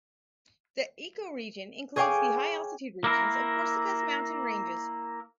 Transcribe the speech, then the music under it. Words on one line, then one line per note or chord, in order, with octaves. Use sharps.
The ecoregion includes the high-altitude regions of Corsica's mountain ranges.
G#4 C#5 F5 G5 G#5 D6
A#3 E4 A#4